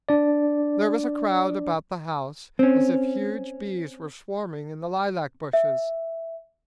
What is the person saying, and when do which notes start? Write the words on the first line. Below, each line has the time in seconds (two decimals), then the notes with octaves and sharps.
There was a crowd about the house as if huge bees were swarming in the lilac bushes.
0.09 D4 D5
2.59 C4 C#4
5.53 E5